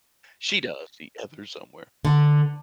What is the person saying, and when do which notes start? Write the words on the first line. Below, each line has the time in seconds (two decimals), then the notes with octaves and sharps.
She does see out there somewhere.
2.05 D3